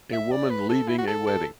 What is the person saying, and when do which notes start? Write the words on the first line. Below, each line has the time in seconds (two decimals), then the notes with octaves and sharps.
A woman leaving a wedding.
0.13 E5
0.31 D5
0.50 B4
0.69 A4
0.89 E4
0.98 F#4
1.07 A4
1.27 A4